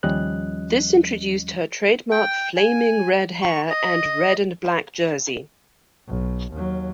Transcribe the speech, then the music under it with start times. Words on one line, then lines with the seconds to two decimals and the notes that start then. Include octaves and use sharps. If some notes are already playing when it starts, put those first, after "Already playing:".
This introduced her trademark flaming red hair and red and black jersey.
0.03 D#2 F3 G3 C#4 D#5 F#6
2.11 G5
2.56 G#5
3.42 C#6
3.70 D#5
6.08 B1
6.52 D#2 F#3